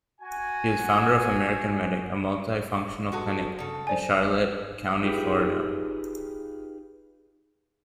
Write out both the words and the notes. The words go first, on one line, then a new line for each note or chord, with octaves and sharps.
He is founder of American-Medic, a multi-functional clinic in Charlotte County, Florida.
F#4 G#5
G#3 F#4 A4
C#3 A4
C5 D5 G#5
D#4 F4 G4 G#4 B4